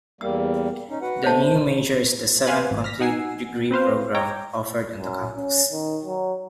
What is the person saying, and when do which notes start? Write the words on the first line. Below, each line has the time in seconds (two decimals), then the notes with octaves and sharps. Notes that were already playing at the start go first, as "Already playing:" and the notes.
The new major is the seventh complete degree program offered on the campus.
0.21 E2 G3 A#3 E6
0.90 C#4 D#4
1.02 F#4 B4 F#5
1.24 D3 A3 C5 C#5 A5
2.47 B4 C5 F5 F#5 G#5 B5
2.71 G#1
2.84 F6 A#6 B6
3.00 D#4 F#5 G#5 E6 C7
3.71 C4 B4 C5 F5
4.15 C#5 G5 A#5 D6
4.98 F#2
5.36 C#4
5.71 D#3
6.05 F#3